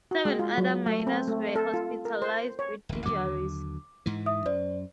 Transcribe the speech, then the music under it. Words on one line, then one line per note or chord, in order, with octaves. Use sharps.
Seven other miners were hospitalised with injuries.
F#4
G#3
F4
F#3
A3
C4
A3
A4
F4
A#4
C5
C#5
D1 A1
D#2 D3 F#3 D6
G#2 E3
E5 D#6
F#2 C5 D5